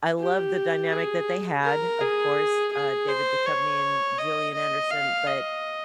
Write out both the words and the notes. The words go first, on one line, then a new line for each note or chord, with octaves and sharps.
I love the dynamic that they had, of course, uh, David Duchovny and Gillian Anderson, but
G4
G#4
A#4
G#4
G#4
C5
C#5
D#5
D#5
F5
D#5